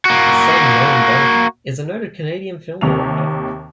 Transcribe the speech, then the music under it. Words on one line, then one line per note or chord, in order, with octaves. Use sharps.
His son Noam Gonick is a noted Canadian film director.
A#3 F#4
D#2 C3 F7